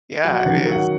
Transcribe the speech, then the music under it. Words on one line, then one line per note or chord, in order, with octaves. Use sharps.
Yeah, it is.
F#3 F#5
F#5
D#3
F#3
F#5